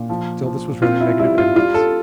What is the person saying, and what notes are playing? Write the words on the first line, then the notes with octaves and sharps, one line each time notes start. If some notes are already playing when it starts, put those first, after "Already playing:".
Still this was rather negative evidence.
Already playing: A#2
F3
F3
C4 F4
E4
G3 E4
F4
G3 F4
A4